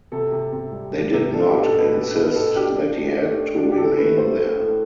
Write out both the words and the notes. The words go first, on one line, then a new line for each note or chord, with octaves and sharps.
They did not insist that he had to remain there.
C3 A4
C3
C3
G3
D4
C3
D4 A4
G4
B2
A4
B2
B4
B2 A4
B2 B4
B2 A4
D4 G4
D4
D4
A3
D4
D4
G4
E3 A4
A3 B4
A3 C5
A3
A2